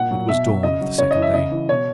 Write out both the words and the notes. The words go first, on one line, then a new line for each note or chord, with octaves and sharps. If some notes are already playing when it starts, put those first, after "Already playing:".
It was dawn of the second day.
Already playing: A#2 F#5
F#3
B2 E5
F#3
C#3 D#5
F#3
C#3 C#5
D#5
E3
E5
C#3 D#5
E3
B2 C#5